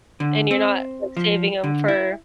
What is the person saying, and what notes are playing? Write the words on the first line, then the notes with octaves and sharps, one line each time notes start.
and you're not, like, saving 'em for
D3
C4
F3
D3
E4